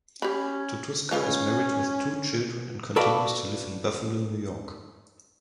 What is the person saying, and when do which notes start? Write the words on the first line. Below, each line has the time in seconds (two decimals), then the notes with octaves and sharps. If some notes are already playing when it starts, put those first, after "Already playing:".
Tutuska is married with two children and continues to live in Buffalo, New York.
0.22 C#4 G4 B5
1.11 G#3 C#4 F4 B4
2.96 F#4 A4 B4 D5 E5 F5